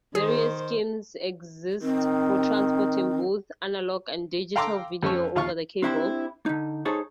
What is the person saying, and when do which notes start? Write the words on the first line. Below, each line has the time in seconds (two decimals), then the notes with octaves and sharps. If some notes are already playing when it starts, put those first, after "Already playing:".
Various schemes exist for transporting both analog and digital video over the cable.
0.15 D#3 G#4 C5
1.82 D#3 C4
4.56 F5 G5 A#5 C6 D6 E6
5.03 F2 C#4 A4 C#6
5.36 D#2 F4 F5 C#6
5.82 C4 D4 E4 G4 A#4 C5
6.46 D3 D#4
6.85 D#4 G#4 A4 C5 C#5